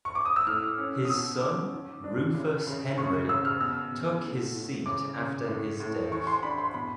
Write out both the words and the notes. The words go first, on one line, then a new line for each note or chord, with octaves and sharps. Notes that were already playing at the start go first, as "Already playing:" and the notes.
His son, Rufus Henry, took his seat after his death.
C#6
D6
D#6
E6
A2 F6
C#4
D#6
B2 E6
C#4 D6
D#3
D4
C#3
C#3
C#3 C#6
C#3 E6
F6
B2 E6
B2
A2
A2
C#3 D6
C#3
A2
A2
E3 C#6
C6
D4 B5
C6
B2 B5